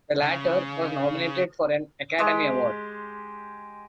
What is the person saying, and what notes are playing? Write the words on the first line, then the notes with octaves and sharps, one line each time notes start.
The latter was nominated for an Academy Award.
C#3
G#3 G4